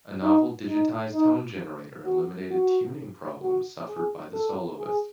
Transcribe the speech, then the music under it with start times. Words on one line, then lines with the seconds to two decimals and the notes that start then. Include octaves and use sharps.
A novel "digitized" tone generator eliminated tuning problems suffered by the Soloist.
0.22 D#4
0.69 D#4
1.14 D#4
2.05 F#4
2.51 F#4
3.42 F#4
3.88 G#4
4.33 A4
4.79 G#4